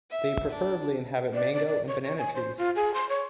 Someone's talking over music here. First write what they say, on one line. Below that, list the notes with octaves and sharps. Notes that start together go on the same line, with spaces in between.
They preferably inhabit mango and banana trees.
E5
D4
D5
D5
D5
C#5
C#5
G#5
C5
F4
G#4
C6
C#5